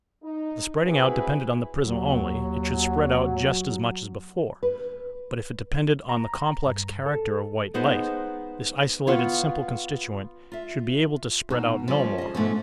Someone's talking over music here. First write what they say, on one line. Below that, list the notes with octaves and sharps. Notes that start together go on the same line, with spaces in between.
If the spreading out depended on the prism only it should spread out just as much as before, but if it depended on the complex character of white light, this isolated simple constituent should be able to spread out no more.
D#4
C4 E4 F#4 G#4 B4
D#2 F#3
B4
A#5
G2
A4
G#3 B3 D#4 C5
B3 F4 C#5
F4 E5
B2 D#4
D3 F3 G3 C#4
G#4 D#5
G#2 B2 F3 A3 C#4